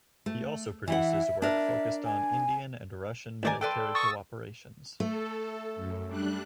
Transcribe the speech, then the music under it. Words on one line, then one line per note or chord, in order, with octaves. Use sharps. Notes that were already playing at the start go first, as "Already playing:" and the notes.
He also produced his work focused on Indian and Russian military cooperations.
A3
E3 E4 E5 F#5
D4 A#4 E5
G#5
A1 D#3 G4 A#4 D5 G#5
A4 B4 D5 G5 C6
C#6 D#6 E6 A6
A3 A4
F#2
G3 D4 F#6